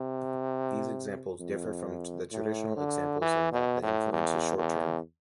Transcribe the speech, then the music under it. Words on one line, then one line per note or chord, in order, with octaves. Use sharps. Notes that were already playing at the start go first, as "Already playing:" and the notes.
These examples differ from the traditional examples in that the influence is short term.
Already playing: C3
F2
A2
D3
E3
B2
A2
E2
E2